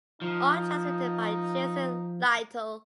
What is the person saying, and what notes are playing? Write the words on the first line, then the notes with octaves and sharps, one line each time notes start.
All tracks written by Jason Lytle.
F3 D#4